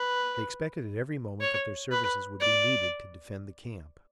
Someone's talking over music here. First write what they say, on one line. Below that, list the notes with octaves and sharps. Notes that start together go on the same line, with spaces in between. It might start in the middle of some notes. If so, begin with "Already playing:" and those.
They expected at every moment that their services would be needed to defend the camp.
Already playing: B4
C#5
B4
D5